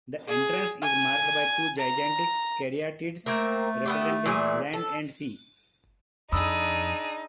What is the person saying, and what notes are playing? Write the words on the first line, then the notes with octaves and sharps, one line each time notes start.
The entrance is marked by two gigantic caryatids representing "Land" and "Sea".
G#4
G#5
A#5
A3 A#3 C4 A#4
B3 E4 G4
A#2 E3 G#4
A4
F2 D4 D#4 G#4 B5 D#6 E6